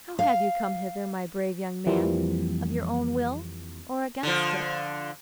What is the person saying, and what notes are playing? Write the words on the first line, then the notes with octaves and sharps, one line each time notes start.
"How have you come hither, my brave young man--of your own will or against it?"
F5
F2 E3 F3 G3 A#3 C4
D3 F3